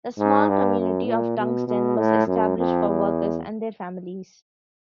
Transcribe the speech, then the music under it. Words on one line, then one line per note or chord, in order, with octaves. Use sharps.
The small community of Tungsten was established for workers and their families.
G#2
G2
F#2
A#2
B2
B2
A2
F#2
F2
E2